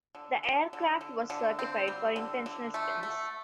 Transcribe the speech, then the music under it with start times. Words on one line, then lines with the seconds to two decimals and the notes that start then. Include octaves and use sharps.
The aircraft was certified for intentional spins.
0.15 D3
0.44 D3
0.73 D3
1.01 D3
1.30 D3
1.59 C4
1.88 G3
2.16 D3
2.46 D3
2.74 A3
3.03 A3